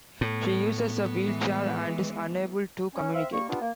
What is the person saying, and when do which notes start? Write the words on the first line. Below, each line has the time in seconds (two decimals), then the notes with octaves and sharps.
She uses a wheelchair and is unable to communicate.
0.21 A2 B3
1.26 E3 G#3
2.94 C#4
3.13 C4 E5 F5
3.32 G3 A#3 C#6
3.48 G3 B3 D4 F4
3.60 A#3